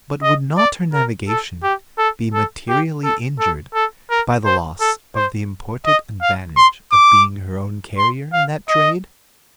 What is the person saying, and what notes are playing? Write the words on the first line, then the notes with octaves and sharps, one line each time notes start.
But would not her navigation be materially injured by the loss of the important advantage of being her own carrier in that trade?
D#5
D5
A#4
A4
G4
A4
A4
G4
A4
A4
A4
A#4
C5
A4
C5
D#5
F5
C6
D6
C6
F5
D#5